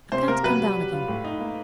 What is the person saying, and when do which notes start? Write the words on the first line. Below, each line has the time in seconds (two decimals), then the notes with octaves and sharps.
'I can't come down again.
0.12 C3 C5
0.28 A#3 A#4
0.43 F#3 B4
0.60 G3
0.76 G3
0.92 F4
1.08 A2
1.24 D#4
1.41 A#3